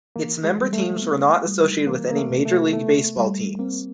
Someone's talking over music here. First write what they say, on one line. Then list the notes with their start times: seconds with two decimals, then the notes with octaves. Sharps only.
Its member teams were not associated with any Major League Baseball teams.
0.16 E3 A#3
0.44 G#3
0.59 G3
0.73 A3
1.02 B3
1.45 G3
1.87 E3 A#3
2.10 A#3
2.16 A3
2.31 C3
2.45 A3
2.73 A3 B3
3.17 G3
3.59 A#3 C4